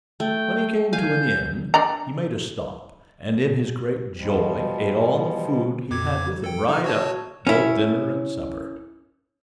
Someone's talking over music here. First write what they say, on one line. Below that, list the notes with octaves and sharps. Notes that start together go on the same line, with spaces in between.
When he came to an inn, he made a stop, and in his great joy ate all the food he had with him right up, both dinner and supper.
A3 G5
F5 G#5 G6
D4 D5 A#5
B2 F3 G3 G#3
F2 D6 G#6
A4 G5
D#4 F6
F#4 C#5 A5
C#4 E4